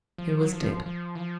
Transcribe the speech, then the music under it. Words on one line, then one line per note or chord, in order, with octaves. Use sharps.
He was dead!
F3
F#3
F3
F3
E3
F3